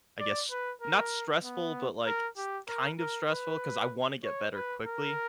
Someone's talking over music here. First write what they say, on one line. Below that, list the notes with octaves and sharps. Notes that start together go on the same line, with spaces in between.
I guess, not stressful, but, like, s kind of stressful 'cause I wanna get better quickly
D5
B4
A#4
B3
A#4
G4
A#4
A#4
B4
C#5
B4
A#4